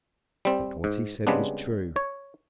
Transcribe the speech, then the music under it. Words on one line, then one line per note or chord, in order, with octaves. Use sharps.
Yet what he said was true.
G3 C4
G#2
C#3 G3 G#3 B3 C4 D4
C#5